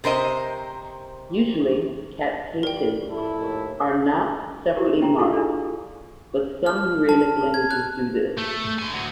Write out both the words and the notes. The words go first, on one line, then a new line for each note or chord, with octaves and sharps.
Usually captatives are not separately marked, but some Uralic languages do this.
C3 A#4 C5 D#5
G3 A#4 G5
F2 A2 E4 A4
D#2
E4 F#4 G4 A#4
E4 G5 A#5
E4 F4 G4 A4 F5 C#6
D4 E4 F4 G#4 A4 D5
F6
A5
G#6
F#6
A3
D3 G#5
D2 F#3